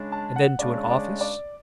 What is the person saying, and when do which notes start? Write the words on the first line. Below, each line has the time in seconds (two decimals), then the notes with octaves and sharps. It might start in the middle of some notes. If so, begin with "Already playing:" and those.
"And then to an office?"
Already playing: C#3 G#3 D4
0.12 A5
0.36 F#5
0.59 C#3 G#3 D4 D5
0.90 D5
1.21 D5